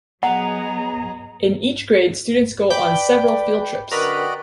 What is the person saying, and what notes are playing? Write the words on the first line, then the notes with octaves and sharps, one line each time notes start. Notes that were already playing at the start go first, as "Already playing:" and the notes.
In each grade students go on several field trips.
F#3 B3 G#4 D#5 F#5 A#5
B4 D5 G5 B5 D6
F#2 D3 F#4 A#4 B4 D5 D#5 G5